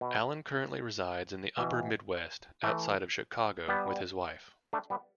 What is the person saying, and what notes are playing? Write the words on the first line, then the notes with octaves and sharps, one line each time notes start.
Allen currently resides in the upper midwest, outside of Chicago, with his wife.
B2
B2 E3
E3 A3
G3 B3
A3 D4
G3 B3